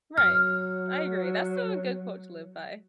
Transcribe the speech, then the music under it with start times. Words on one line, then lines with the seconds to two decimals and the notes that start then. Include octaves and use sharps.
Right. I agree. That's still a good quote to live by,
0.18 F#3 F6